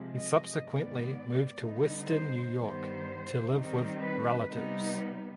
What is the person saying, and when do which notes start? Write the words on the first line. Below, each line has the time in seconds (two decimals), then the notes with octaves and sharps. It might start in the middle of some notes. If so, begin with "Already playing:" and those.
He subsequently moved to Western New York to live with relatives.
Already playing: C3 F3 G#3
0.13 D#5
0.62 G#2 D#3 B3 D5
1.59 D3 G3 B3 D#4
2.07 C5
2.56 G2 D#3 G3 B3 C5
3.53 D#3 G3 C4 D#4
4.01 B4
4.49 C3 G3 B3 D#4